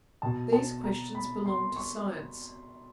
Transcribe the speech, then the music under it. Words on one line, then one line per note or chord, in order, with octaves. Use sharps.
These questions belong to Science.
B2 A5
A5
A#5
B5
C6
C#6